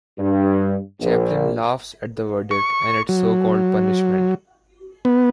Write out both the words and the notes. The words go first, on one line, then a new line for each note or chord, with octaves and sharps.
Chaplin laughs at the verdict and its so-called punishment.
G2
A#1
C#6
F#3
B3